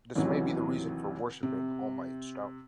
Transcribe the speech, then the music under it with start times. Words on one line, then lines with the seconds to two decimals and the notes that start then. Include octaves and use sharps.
This may be the reason for worshiping Almight in Stone.
0.16 A1 D#2 C3 E3 F#3
1.43 C3